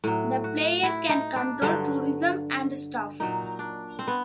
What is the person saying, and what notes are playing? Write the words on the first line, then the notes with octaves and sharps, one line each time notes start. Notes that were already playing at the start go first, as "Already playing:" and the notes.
The player can control tourism and staff.
A2 F#3
F#4
E4
D#4
D4
G2 D3 F#3
A#2 F#3 D#4
D4
C4
B3